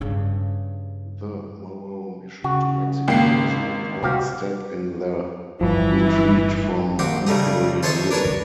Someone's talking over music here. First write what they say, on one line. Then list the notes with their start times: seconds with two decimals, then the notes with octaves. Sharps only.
The Morrow Mission to Mexico was an "important step in the 'retreat from imperialism'".
0.01 G2 C#3
2.44 C#3 F#4
3.08 G#1 A#3 G5 C7
4.03 C3 C4 F#4 G4 F5
5.61 G1 G2 E3 F3 G3 E4
6.99 A#1 C4 F#4 G4
7.27 C#3 G3 A3 D#4
7.83 A4 C5 C#5 D#5 E5 A5
8.11 D4 A#4 B4 C#5 A5 C#6